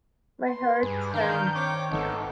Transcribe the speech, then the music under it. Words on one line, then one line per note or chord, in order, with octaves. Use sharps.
My heart sank.
B4 C6
G2 G#4
D#3 D4 A#4 F5 G6
C4 C#5 D6
G#1 A3 B3 D#4 A4